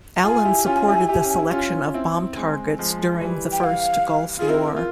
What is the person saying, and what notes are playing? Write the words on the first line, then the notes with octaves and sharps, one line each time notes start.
Allen supported the selection of bomb targets during the first Gulf War.
F4 G#4 G#5
E4 G4
C#4 F4
E4 G4
E4 G4
C#4
E4
C#4 F4
C4 E4
G#3 C4
F3 G#3
E3 G3
G5
F5
F4 G#4
C4 E4 A#4
F4